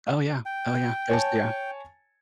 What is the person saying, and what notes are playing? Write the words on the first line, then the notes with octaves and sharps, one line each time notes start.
Oh, yeah. Oh, yeah. There's Yeah.
G5
C#5 G#5 A5